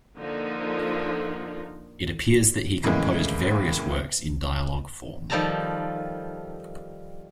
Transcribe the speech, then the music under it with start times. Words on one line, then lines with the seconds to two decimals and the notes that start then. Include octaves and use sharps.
It appears that he composed various works in dialogue form.
0.18 D3 F3 A#3 D#4
2.84 A2 C#3 E3 G#3 A#3
5.30 D#3 F3 G3 A4 A5 A#5